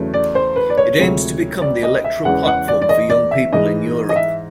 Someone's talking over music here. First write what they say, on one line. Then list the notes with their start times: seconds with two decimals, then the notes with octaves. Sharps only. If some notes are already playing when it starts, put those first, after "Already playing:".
It aims to become the electoral platform for young people in Europe.
Already playing: E2 C#3 F#3 A3
0.14 D5
0.35 C5
0.56 B4
0.70 D5
0.77 C#5
0.98 D2 C3 F3 G#3
1.62 D5
1.83 D#5
2.04 E5
2.25 E2 C#3 E3 G#3 F#5
2.47 F#5
2.68 D5
2.82 D5
2.89 D#5
3.10 D5
3.31 E5
3.53 G#2 E3 G#3 D#5
4.09 D#5
4.16 E5